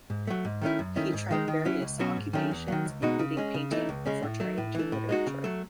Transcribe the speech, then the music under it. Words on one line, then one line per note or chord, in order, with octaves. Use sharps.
He tried various occupations including painting before turning to literature.
G#2
F#3 A3
G#2
D#3 A3 C#4 E4
F#2
D#3 A3 C#4 E4
G#2
D#3 G#3 D#4
D#3
F#3 C#4 E4
C#2
B2 F#3 C#4 F#4
G#2
D#3 F#3 A3 C#4
E2
D#3 F#3
C#2
B2 G#3 D#4 F#4
C#3
G#3 C#4
C#3
E3 A3 D#4
C#2
C#3 G#3 C#4
A2
F#3 A3
A2
E3 A3
A2
G#3 D#4 F#4
C#3
F#3 A3